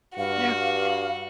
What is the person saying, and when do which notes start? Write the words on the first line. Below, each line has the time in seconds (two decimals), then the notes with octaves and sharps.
Yeah, true.
0.18 G2 F#4 F5